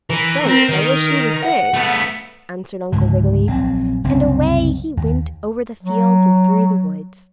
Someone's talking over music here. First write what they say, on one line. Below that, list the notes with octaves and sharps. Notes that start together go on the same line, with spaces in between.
"Thanks, I wish you the same," answered Uncle Wiggily, and away he went over the fields and through the woods.
E3 A#4
C4
D#3
F#5
A3 B3
C#2 G#2 D3
A#1 F#3 C4
F#1 C2 C4
D#2
F#3